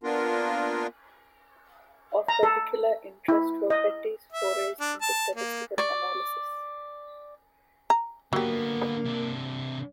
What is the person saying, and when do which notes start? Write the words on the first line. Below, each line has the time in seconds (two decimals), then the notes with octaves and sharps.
Of particular interest were Petty's forays into statistical analysis.
0.04 A#3 B3 D4 F4 A#4
2.28 A#5
2.43 A4
3.28 E4
3.70 D#5
4.32 E5
4.80 D4
5.01 A5
5.35 A#3
5.78 D5 C#6
7.90 A#5
8.33 D3 F#3 A#3 B3 G4
9.05 C3 D4